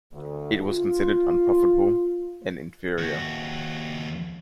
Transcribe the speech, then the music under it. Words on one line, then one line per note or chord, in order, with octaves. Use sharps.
It was considered unprofitable and inferior.
D2
F4
D#2 F#4